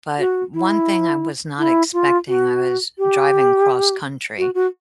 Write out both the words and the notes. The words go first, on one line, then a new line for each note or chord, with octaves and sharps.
but one thing I was not expecting, I was driving cross-country
F#4
E4
E4
F4
F#4
G4
F#4
F#4